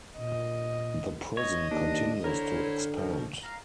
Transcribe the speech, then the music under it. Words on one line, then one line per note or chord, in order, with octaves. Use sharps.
The prison continues to expand.
A#2 D#5
C#5 D#5
D#2 D4
D3 E4 A#4 C5 C#5
B2 F3
F5 A#5